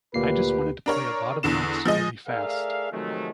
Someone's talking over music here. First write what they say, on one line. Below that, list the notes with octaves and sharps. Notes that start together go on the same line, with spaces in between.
I just wanted to play a lot of notes really fast.
D2 A#2 A#3 G4 B4 C7
D4 A#4 C#5
E2 D3 E7
F3 G#3 D#5
A3 G#4 A#4 D5 E5 F5
C3 D#3 F3 F#3 G#3 A3